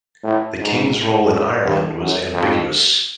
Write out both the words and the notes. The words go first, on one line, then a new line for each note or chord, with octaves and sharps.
The King's role in Ireland was ambiguous.
A2
G#2
G#2
G2
F#2
F2